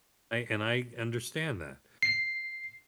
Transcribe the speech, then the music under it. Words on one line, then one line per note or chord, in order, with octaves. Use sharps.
I and I understand that.
C7